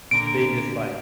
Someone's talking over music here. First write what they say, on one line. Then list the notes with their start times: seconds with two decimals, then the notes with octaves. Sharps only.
they just, like
0.11 A#2 D3 A#4 D7